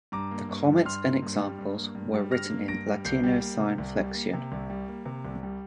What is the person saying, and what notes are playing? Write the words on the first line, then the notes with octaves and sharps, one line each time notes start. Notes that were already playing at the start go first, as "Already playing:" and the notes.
The comments and examples were written in "Latino sine flexione".
G2 A#5 D6
A#3
G2
G3
G2 C6 F6
A#3
G2
G3
G2
A#3
G2
G3
G2 F6 A#6
A#3
G2 A#6 D7
G3
C2 G6 C7
G3
A#3
C3
C2
G3
A#3
C3
C2
G3
A#3
C3
C2
G3